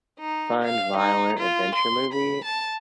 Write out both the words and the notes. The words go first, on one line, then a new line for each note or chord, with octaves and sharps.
fun, violent adventure movie
D#4
F5
D#4
F4
C6
B5
A5